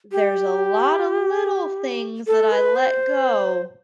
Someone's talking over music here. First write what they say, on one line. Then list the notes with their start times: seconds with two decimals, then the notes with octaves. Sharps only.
there's a lot of little things that I let go.
0.12 G4
2.27 A4
2.52 B4
2.76 C5